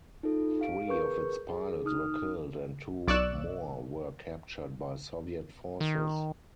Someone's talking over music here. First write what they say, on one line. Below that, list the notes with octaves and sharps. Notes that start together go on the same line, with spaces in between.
Three of its pilots were killed and two more were captured by Soviet forces.
D#4 F4 A4
G4 F5 D7
G#4 A#4 B4 C#6 G6
G#4
D#4 D#6 F6
B1 D5 C#6 E6 F#6 E7
D#3